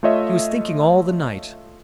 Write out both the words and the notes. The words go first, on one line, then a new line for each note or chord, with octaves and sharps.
He was thinking all the night.
A3 F4 C#5 D#5 E5